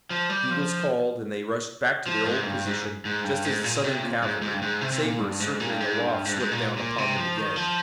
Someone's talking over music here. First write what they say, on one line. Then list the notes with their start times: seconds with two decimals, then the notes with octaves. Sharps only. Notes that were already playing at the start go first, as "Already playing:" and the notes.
Bugles called and they rushed back to their old position just as the Southern cavalry, sabers circling aloft swept down upon them again.
0.10 F3
0.30 G3
0.50 F3
2.06 F3
2.26 G#2
2.46 G2
2.66 G#2
3.05 G#2
3.24 G2
3.45 G#2
3.64 A#2
3.84 C3
4.03 A#2
4.22 G#2
4.42 G#2
4.54 G2
4.62 G#2
4.81 C3
4.92 C3
5.02 A#2
5.20 G2
5.40 G#2
5.60 A#2
5.70 G2
5.80 G#2
5.99 G2
6.25 G#2
6.33 G2
6.40 G#2
6.51 A#2
6.77 A#2
6.98 C3
7.17 F3
7.37 D#3
7.56 F3